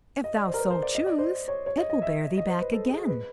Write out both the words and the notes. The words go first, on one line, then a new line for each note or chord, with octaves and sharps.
If thou so choose, it will bear thee back again.
D#5
D5
C5
A#4
B4
C5
D5
D#5
D5
C5
C#5
C#5
D#5
D#5
E5
D#5
C5
B4
A4
G#4
B4